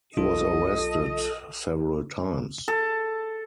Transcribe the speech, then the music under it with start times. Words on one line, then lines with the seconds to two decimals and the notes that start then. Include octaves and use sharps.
He was arrested several times.
0.17 B1 F4 A4 D#5
2.68 A4